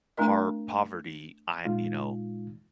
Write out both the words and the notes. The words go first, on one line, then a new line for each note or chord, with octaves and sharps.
par poverty, I you know,
A3 C4 D4 E4 A#4 D#5
A#2 G#3 D#4 F4